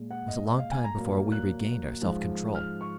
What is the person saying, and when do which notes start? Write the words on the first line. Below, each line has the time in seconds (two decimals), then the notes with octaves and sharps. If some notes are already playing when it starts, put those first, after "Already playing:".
It was a long time before we regained our self-control.
Already playing: A#2 G#3
0.11 F#5
0.28 D#5
0.46 D#5
0.59 F5
0.71 G#5
0.84 A#5
0.97 A#2 F#3 A#3
1.32 F#6
2.02 G#2 F3 G#3
2.55 F6
2.81 C#6